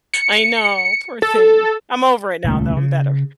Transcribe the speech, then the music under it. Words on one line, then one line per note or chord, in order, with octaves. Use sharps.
I know, poor thing. I'm over it now though. I'm better.
C#7
A4
D#1 C#2 A3
C#3